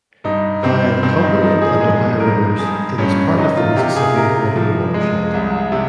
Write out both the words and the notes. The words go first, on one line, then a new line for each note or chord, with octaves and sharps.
Via the Cumberland and Ohio rivers, it is part of the Mississippi River watershed.
G2 D#4
G2 C4
G2 C4
D#4
F3 D#4
G#4
G#3 G#4
G2 A#4
G2 G#4
G2 C#4
C3 D#4
F4
C3 G4
G#4
C3 A#4
F3
G#3
C2
C3